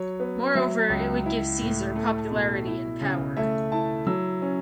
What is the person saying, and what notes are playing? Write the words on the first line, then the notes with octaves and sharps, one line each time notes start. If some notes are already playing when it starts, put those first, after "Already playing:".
Moreover, it would give Caesar popularity and power.
Already playing: F#3 C#5
B3
F#3 E5
C#2
E4
A2
A3
B2
E4
C#3
A3 E5
E4 A5
F#3 E6
C#4